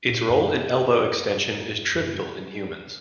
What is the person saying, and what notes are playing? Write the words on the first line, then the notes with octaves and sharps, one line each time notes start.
Its role in elbow extension is trivial in humans.
A#2
F#2